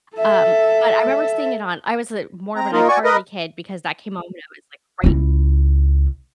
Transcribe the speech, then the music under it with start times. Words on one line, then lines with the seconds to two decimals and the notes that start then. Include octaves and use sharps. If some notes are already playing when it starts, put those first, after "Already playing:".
um, but I remember seeing it on I was, uh, more of an iCarly kid because that came out when I was, like, right
0.16 A4 E5
2.56 C4 A#5
2.73 A#3 D#4 F4 A#4
2.88 F#4 D5 G#5 C#6
3.04 A#4 B4 D#5
5.04 C#2 E4